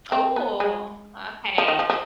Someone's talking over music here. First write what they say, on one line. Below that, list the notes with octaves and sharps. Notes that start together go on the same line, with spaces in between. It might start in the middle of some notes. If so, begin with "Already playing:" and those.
Ooh, okay.
C4
B3
G#3
F3
D#3
F3
F3